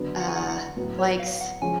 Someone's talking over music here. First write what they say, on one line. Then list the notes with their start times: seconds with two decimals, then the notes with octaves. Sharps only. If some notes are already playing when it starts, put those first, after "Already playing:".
uh, likes
Already playing: D3 F#3 B3
0.20 F#5
0.29 G#5
0.36 F#5
0.49 F#5
0.77 A2 F#3 B3
0.98 C#5
1.19 F5
1.41 F#5
1.62 F3 G#3 C#4 G#5